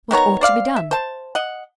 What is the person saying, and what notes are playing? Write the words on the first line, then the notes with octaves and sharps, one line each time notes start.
What ought to be done?
D#3 B3 C#5 A#5
C5 D5 F5
E5
C5 A5
D#5 F#5